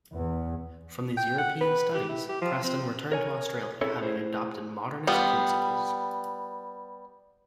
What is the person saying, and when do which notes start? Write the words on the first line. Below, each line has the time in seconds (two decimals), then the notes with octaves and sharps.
From these European studies, Preston returned to Australia having adopted Modernist principles.
0.13 E2
1.17 G5
1.39 F#5
1.61 B4
1.95 G4
2.09 E4
2.29 G4
2.42 F3
2.64 C4
3.12 A#4 C#5 G#5
3.81 C4 C#4 E4 G#4 A4 C#5
4.01 A3 E4 G#4 C5
5.07 G3 B3 F4